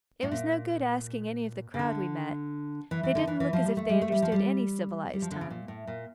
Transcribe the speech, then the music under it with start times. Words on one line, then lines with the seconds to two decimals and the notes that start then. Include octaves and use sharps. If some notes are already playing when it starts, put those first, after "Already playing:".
It was no good asking any of the crowd we met. They didn't look as if they understood any civilized tongue.
0.23 A2
0.31 A#2
1.74 C#3
1.79 D3
2.91 E3
3.03 E3
3.15 D3
3.27 E3
3.40 E3
3.53 F3
3.65 G3
3.77 A3
3.89 G3
4.02 A3
4.12 G3
4.22 F3
4.32 G3
5.13 G3
5.22 F3
5.31 D3
5.41 C#3
5.50 A#2
5.68 A2
5.87 A#2